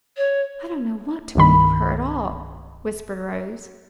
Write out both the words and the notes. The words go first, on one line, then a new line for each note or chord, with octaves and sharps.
'I don't know what to make of her at all,' whispered Rose.
C#5
C2 G2 D#3 B5